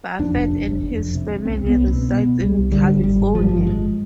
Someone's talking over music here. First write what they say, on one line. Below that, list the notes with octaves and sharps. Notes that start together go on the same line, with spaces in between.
Baffert, and his family reside in California.
F2 D4
F1
F1
F1
F1
F2
C3
C3
C2 C4
C4
C2 B3
C2
C4
B2
B2 B3
B2
C2 G3
C2
D3 G3
G#1
G#1 G3
G#1
G#1 F3
G3
G2 F3
G#1 G#3